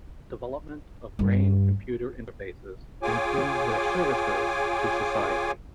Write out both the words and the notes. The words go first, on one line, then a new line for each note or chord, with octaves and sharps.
Development of brain-computer interfaces improved their services to society.
G2
F4 G#4 C#5 G5 G#5 D6